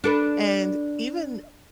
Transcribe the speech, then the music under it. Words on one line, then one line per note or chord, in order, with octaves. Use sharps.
and even
D4 A4 B4